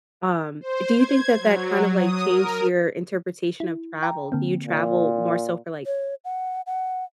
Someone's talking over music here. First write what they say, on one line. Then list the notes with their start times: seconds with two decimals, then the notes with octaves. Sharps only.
Um, do you think that that kind of like changed your interpretation of travel? Do you travel more so for like-
0.61 C5
0.97 G#6
1.39 F#3
1.97 D#6
2.27 A#4
3.60 E4
4.03 G5 A#5
4.32 D3 A#3 C4
4.66 A#2
5.86 C#5
6.25 F#5
6.67 F#5